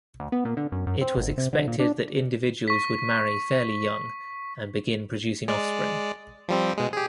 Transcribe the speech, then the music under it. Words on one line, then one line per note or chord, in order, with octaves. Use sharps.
It was expected that individuals would marry fairly young and begin producing offspring.
D2
B3
A#2
D3
F#2
F#2
C4
G#1
C3
D3
A#2
D4
C#6 B6
G#3 D5
F3 G3 C4
B2 G#3
G4 G#4